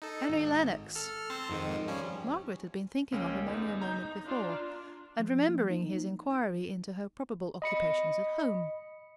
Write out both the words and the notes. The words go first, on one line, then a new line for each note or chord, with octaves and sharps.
Henry Lennox.' Margaret had been thinking of him only a moment before, and remembering his inquiry into her probable occupations at home.
D#4 A4
G#1
A4 F6
C4 C5 A5
F2 G#2 D#3
F3 G3 C#4
C#2 A#3 C#4
E2 D#4
A#5 G6
D4 F4
F3
A#3
D#4
D#5 B5 C#7